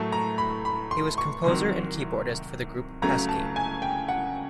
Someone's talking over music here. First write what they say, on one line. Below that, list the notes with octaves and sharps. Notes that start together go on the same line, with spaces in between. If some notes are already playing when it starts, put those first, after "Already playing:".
He was composer and keyboardist for the group Pesky.
Already playing: A2 F#3 A3 A5
A#5
B5
B5
C6
C#6
C2 C3 D#3 F#3 C6
C#2 C#3 F#3 A3 A#5
A5
G#5
G5
F#5